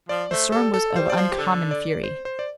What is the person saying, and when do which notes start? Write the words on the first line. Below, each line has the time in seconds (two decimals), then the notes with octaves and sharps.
The storm was of uncommon fury.
0.09 F3 D5
0.31 A3 C5
0.52 G3 A4
0.74 A4
0.96 G3 C5
1.10 G3 D5
1.17 F3 C5
1.32 G4
1.38 D3 A4
1.71 D5
2.03 C5
2.25 C5
2.39 D5